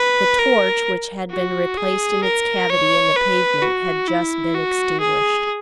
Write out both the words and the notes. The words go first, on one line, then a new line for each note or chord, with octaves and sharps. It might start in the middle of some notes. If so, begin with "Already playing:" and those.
The torch, which had been replaced in its cavity in the pavement, had just been extinguished.
Already playing: B4
A#4
F#4
G#4
A#4
C#5
B4
F#4
E4
F#4
G#4